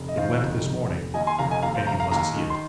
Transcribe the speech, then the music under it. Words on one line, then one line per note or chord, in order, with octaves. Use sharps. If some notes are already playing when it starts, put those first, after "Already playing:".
It went this morning, and you must see it.'
Already playing: F1
D#5
D#3 C5 F5
F1
F1
F1
D#2 D#5 G#5
G#5 C6
F1 F5 A#5
D#5 G#5
D#2 F5 A#5
C5 F5
F1 F5 A#5
F5 A#5
D#2 F5 A#5
D#3
C6